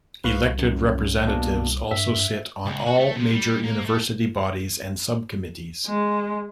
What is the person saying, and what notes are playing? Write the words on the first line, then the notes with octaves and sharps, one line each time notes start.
Elected representatives also sit on all major University bodies and subcommittees.
C2 B4 F5 C#6
F#2
B2 A#3 D4
G2 E5
C#2
F#4
A3
C3
G3
A#3
A3
G#3